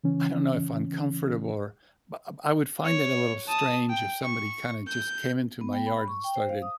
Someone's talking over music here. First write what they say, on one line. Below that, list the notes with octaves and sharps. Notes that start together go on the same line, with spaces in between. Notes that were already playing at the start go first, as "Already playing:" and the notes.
I don't know if uncomfortable, or but, uh, I would find it a little strange if somebody kinda just came into my yard and started
C#3 E3 C#4
C#5
A5 D#6
G5
C#6
G6
B3
G5
B5
C#6
G5
C5
F5
D#6